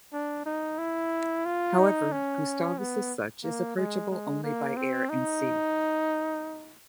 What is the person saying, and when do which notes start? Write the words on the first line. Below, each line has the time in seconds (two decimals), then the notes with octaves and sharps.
However, Gustavus as such is approachable only by air and sea.
0.13 D4
0.46 D#4
0.78 E4
1.45 F4
1.79 D#4
2.12 C#4
2.78 B3
3.44 A#3
3.77 G#3
4.11 G#3
4.44 A#3
4.77 C4
5.09 D#4